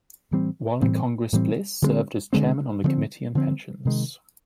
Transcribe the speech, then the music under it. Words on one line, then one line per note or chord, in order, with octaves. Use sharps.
While in Congress Bliss served as Chairman on the Committee on Pensions.
A2 E3 G3 C4
A2 E3 G3 C4
A2 E3 G3 C4
D3 F3 G#3 C4
D3 F3 G#3 C4
D3 F3 G#3 C4
D3 F3 G#3 C4
C3 D#3 G#3